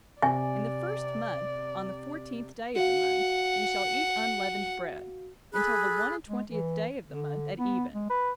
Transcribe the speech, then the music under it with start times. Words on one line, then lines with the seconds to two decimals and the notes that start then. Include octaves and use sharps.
In the first month, on the fourteenth day of the month, ye shall eat unleavened bread, until the one-and-twentieth day of the month at even.
0.22 C3 D5 G#5
2.76 F#4 F5 F#5
5.52 G#4 A4 B5 F#6
6.29 G#3
6.50 E3
7.06 D3
7.58 B3
7.94 G#3
8.10 B4